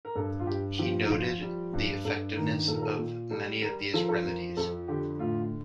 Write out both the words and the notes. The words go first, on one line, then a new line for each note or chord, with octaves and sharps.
He noted the effectiveness of many of these remedies.
A#4
G2 A4
F4
G2 G4
F3 G4
D#4
F3 F4
G3
G2
G2 A4
D#3 A#4
A#2 A4
A#4
A4
A#2
G3 A4
G3 A#4
F3 A4
A#4
A4
F2 A#4
F2 A4
D3 G4
A2 F4